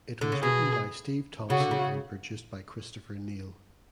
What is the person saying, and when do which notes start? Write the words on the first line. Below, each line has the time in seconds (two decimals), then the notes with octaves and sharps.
It was written by Steve Thompson and produced by Christopher Neil.
0.21 D3
0.32 C#3
0.42 B2 G#4
1.50 C#3 F#4
1.60 D3
1.71 C#3